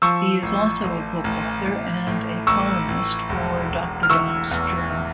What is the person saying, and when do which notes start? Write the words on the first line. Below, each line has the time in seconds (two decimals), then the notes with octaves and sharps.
He is also a book author and a columnist for Doctor Dobb's Journal.
0.02 F3 C#6 E6
0.43 A1
0.83 A1
1.24 A1
1.65 A1
2.07 A2
2.47 A1 C#6 E6
2.88 A1
3.29 E1
3.70 E1
4.03 F6
4.10 E3 C#6 E6
4.51 E2